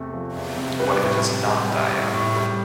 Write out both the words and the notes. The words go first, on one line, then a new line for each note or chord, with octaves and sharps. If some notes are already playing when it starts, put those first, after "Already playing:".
What if it does not die out?
Already playing: E2 C3 A3
F3
E2
C3
G3 B4
A2
A2
G3
G3
A2
A2
G3